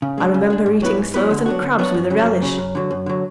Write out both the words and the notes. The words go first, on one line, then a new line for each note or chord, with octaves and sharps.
I remember eating sloes and crabs with a relish.
C#3
G#3 D4
C#3
G#3 D4
G#2
F#3 B3 E4 B4
G#2
F#3 B3 E4 B4
D3
F#3 B3 D4 F#4
D3
F#3 B3 D4 F#4
F#2
C#3 F#3
F#2
C#3 F#3
F#2
D3 F#3
F#2
D3 F#3